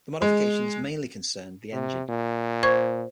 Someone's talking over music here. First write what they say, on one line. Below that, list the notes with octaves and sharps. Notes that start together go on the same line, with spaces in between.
The modifications mainly concerned the engine.
G#3
C3
A#2
C5 C#6 G#6